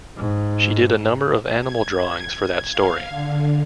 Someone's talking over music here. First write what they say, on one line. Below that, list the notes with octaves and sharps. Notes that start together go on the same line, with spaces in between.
She did a number of animal drawings for that story.
G#2
G#6
F5
D3